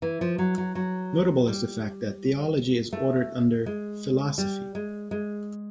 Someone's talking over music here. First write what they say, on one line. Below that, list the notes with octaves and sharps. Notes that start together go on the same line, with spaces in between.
Notable is the fact that theology is ordered under 'Philosophy'.
E3
F3
F#3
F#3
F#3
G3
A3
G#3
G3
G#3
G#3